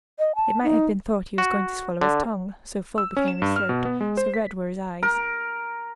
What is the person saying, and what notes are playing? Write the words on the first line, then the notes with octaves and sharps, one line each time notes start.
It might have been thought he was going to swallow his tongue, so full became his throat, so red were his eyes!
D#5
A5
D#4
F#4
D3
E6
C#4
E7
G2
F6
B2
B3
G#3
C5
B6
A#4